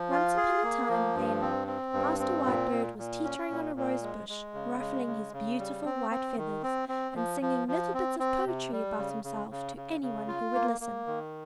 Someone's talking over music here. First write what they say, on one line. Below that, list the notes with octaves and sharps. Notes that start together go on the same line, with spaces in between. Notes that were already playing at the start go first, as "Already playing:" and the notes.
Once upon a time, then, Master Whitebird was teetering on a rose-bush, ruffling his beautiful white feathers and singing little bits of poetry about himself to any one who would listen.
Already playing: F3
F4
G#4
A#3
F3
G2
C4
C4
G2
C4
A#2
A#2
A#2
C#4
A#2
A#2
G#3
G#3
C#3
G#3
C#3
C#3
G3
C4
C4
D#3
C4
C4
F3
F3
F3
C4
C4
C3
G3
C#3
C#3
C#3
C#3
C#3
F4
A#3
A#3
D#3